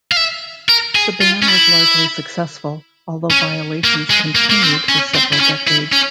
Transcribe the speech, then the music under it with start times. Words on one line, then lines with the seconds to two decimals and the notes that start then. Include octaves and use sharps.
The ban was largely successful, although violations continued for several decades.
0.12 F5
0.17 E5
0.69 A#4
0.95 G#4
1.21 F4
1.42 C#4
1.48 E4
3.31 C#4
3.84 A#3
4.10 G#3
4.35 A#3
4.50 A#3
4.62 C4
4.89 C#4
5.14 C4
5.33 E4
5.40 C#4
5.67 E4
5.92 C#4